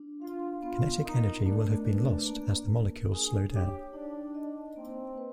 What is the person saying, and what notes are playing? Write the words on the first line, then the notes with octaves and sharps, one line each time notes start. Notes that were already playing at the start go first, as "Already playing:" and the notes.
Kinetic energy will have been lost as the molecules slow down.
Already playing: D4
F4 F5
B3 F4
D#4 A#4
A3 D4
B4
A#3
A#4
D4 G#4
G4 C#5
D4 D#4
D#5
A#3 C4
B4